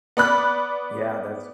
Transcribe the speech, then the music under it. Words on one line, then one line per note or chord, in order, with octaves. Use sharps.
Yeah. That's
B3 D5 B5 F#6